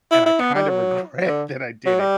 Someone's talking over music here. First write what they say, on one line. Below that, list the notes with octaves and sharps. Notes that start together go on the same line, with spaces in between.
and I kind of regret that I did it.
E4
E4
B3
G3
F#3
D3
F#3
G3